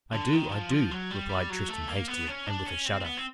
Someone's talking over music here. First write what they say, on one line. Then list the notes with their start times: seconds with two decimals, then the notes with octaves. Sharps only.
"I do--I do," replied Tristram hastily, and with a shudder.
0.13 D3
0.33 D#3
0.51 F3
0.71 F3
0.91 F#3
1.11 G3
1.30 G3
1.49 F#3
1.68 A3
1.88 A#3
2.08 B3
2.28 C#4
2.47 D4
2.66 C#4
2.86 C4
3.01 C4
3.05 B3
3.17 C4